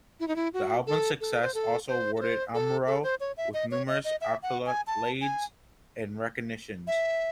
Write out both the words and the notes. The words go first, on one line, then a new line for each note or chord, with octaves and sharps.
The album's success also awarded Amuro with numerous accolades and recognition.
E4
D#4
E4
F#4
A4
A4
C5
A4
C5
A4
C5
A4
A4
C5
C#5
E5
D#5
C#5
D#5
D#5
E5
F#5
G#5
A5
G#5
E5